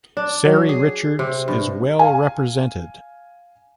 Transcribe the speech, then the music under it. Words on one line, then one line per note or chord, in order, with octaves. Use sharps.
Ceri Richards is well represented.
D4
F#3
G#4
C3
G2
F5 G#5